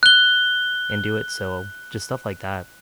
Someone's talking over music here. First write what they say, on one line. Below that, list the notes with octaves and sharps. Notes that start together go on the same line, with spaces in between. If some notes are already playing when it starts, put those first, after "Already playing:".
into it so, just stuff like that,
F#6 G7